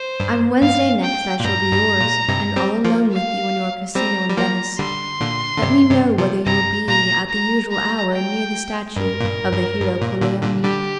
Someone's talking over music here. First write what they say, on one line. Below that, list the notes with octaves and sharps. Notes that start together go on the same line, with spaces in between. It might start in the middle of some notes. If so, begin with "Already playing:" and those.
On Wednesday next I shall be yours, and all alone with you in your casino in Venice; let me know whether you will be at the usual hour near the statue of the hero Colleoni.
Already playing: C5
G2
G2 F5
G5
A#2
G2 A#5
G2
A#2
G2 C3
G3 C4
F3 A#3
F5
G3 C4 A#5
G3
F3 A#3 A#5
D3 G3 C6
A#2 D3
D3
G2 C3
G2 C3
C3 F3
G2 C3 A#5
A#2 A#5
A#5
A#5
G5
G2 A#4
A#2
G2
G2
G2
A#2
A#2 D3
A#2 D3
D3 G3 G4